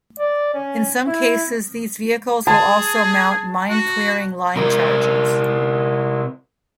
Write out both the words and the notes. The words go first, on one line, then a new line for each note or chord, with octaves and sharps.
In some cases, these vehicles will also mount Mine-clearing line charges.
D5
C#4
E4
G#4 A5
F#4
C3 A#4